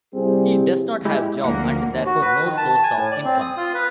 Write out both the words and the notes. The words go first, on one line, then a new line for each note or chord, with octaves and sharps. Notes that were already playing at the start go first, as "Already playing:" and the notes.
He does not have job and, therefore, no source of income.
C3 G3 C4 E4 G4 G#4
G#3 E4 G4
D2 F3 A#3 F#5
D#2
F#4
B4
D#3
A5
G#5
A2
D5
C4
D#6
F4
B4